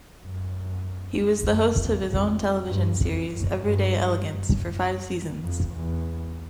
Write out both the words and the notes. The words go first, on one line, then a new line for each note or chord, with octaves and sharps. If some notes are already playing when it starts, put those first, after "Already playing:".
He was the host of his own television series "Everyday Elegance" for five seasons.
F#2
F#2
F2
F2
G2
F2
F#2
G2
F#2
F2
E2